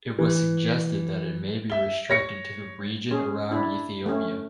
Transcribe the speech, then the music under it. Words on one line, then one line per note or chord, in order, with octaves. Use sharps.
It was suggested that it may be restricted to the region around Ethiopia.
E3
E5 G7
C#5 A#6 C#7
C#4 G#4
D4 E4
A3 C#4